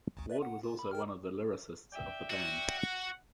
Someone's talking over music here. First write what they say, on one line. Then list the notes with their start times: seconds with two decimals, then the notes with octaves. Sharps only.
Ward was also one of the lyricists of the band.
0.17 A1 D2
0.30 B4 D5 E5
0.42 F#5
0.63 F4
0.79 B5
0.91 A#4 G5 F6
1.93 D5 E5 G5
2.30 F#4
2.79 F#5